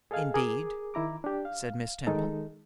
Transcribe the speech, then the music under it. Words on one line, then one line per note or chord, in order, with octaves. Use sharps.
'Indeed!' said Miss Temple.
G#4 A4 D#5 F5 G#5
G#4 A#4 D6 D#6
D#3 E4 A#5 D6
D4 G4
F5
D#3 G#3 D#4 A4